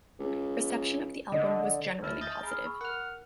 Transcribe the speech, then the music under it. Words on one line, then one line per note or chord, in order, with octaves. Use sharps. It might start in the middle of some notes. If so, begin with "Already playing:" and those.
Reception of the album was generally positive.
C#2
D3 D#5
D2 E4 E5 A5 E6 F6
D#5 G6 A6
G#4 A#5 B5 F6
B5 C#6 E6
A#4 F#5 F6